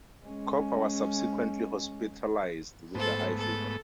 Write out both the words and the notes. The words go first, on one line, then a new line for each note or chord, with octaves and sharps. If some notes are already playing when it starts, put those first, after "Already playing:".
Cooper was subsequently hospitalized with a high fever.
G#3 C#4
G#2 A3 B3 A4 C5
A4